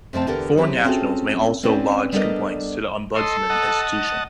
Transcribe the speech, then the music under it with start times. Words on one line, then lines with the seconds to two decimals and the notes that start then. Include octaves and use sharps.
Foreign nationals may also lodge complaints to the Ombudsman Institution.
0.13 F2 C3 A3 C4 F5 A5
0.27 E2 D3 G4 A4 A#4 F#5
0.57 F#3 C4 E4 G4 G#4
0.84 C4 C#4 F4 F#4 G#4 A4
1.63 C4 C#4 F#4 B4 C5 D5
2.12 G3 B3 D4 A4 A#4 D#5
3.16 A4 D#5 C6
3.50 D#5 F#5 A5